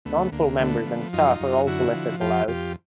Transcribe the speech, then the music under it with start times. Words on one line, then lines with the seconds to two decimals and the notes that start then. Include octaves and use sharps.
Non-full members and staff are also listed below.
0.05 D2 A3 B3
0.32 D2 A#3
0.59 D3 A3 B3
0.86 F3
1.13 F#2 D#4 F4
1.40 F#2
1.67 D3 E4 F#4
1.94 F3
2.21 F2 F4 G4
2.48 F2 F4 G4